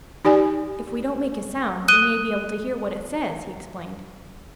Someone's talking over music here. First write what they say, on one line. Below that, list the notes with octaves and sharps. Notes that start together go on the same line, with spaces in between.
"If we don't make a sound we may be able to hear what it says!" he explained.
D#4 G4 D5 G#5
D#6 F#6 D#7 G7